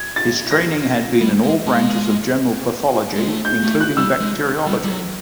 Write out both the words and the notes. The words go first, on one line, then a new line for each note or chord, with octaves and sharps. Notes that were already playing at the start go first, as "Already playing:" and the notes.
His training had been in all branches of general pathology including bacteriology.
Already playing: G#6
A6
A#6
G3
G#3
G#3
G#3
A3
G6
A3
F#6
G3 E6
G#3
G3
G3
F#3